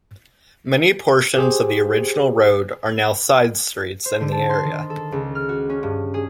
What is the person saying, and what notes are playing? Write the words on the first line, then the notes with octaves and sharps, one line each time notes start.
Many portions of the original road are now side streets in the area.
G4 G#4 C5
C5
D3
A5
C6
D#3
A4
C#2
F6
F#4
C#4
G2
G#4